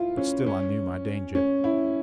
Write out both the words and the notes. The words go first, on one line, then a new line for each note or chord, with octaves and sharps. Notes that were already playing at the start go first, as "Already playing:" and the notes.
But still I knew my danger.
Already playing: E4 F4
C#4
C#4
C#4
E4